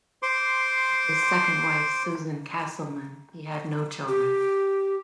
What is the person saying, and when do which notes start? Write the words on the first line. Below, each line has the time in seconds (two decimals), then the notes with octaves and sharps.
With his second wife, Susan Casselman, he had no children.
0.22 C5 C6 D6
4.08 G4